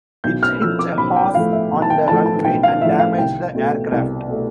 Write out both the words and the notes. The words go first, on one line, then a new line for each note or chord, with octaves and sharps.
It hit a horse on the runway and damaged the aircraft.
B1 G6
F6
A2 F3 A3 E6
D6
B1 B5
G5
A2 F3 A3 F5
E5
B1
A5
G5
A2 F3 A3 A5
A5
B1 G5
F5
A2 F3 A3 E5
F5
C2 G5
B2 A3
C2
B2 A3